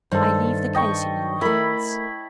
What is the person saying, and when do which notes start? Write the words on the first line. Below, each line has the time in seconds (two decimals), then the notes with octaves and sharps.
I leave the case in your hands.
0.11 G2 D#3 A4 C5
0.75 D#5 G5 C#6
1.41 A3 E4 A#4 B5